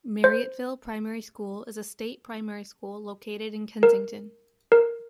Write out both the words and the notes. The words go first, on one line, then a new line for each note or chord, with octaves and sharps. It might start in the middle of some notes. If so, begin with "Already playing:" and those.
Marryatville Primary School is a state primary school, located in Kensington.
C5
A#4
A#4